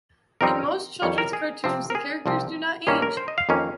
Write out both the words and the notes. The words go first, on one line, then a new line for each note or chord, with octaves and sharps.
In most children's cartoons, the characters do not age.
F2 D#3 G3 C4 D#4 A#4
F2 D#3 G3 C#5
A#4
G#4
C3 F3 C4
A#4
G#4
C2 C3 F3 C4
G2 D#3 A#3 C#4 G#4
A#4
C5
D#5
F5
F2 D#3 A#3 C#4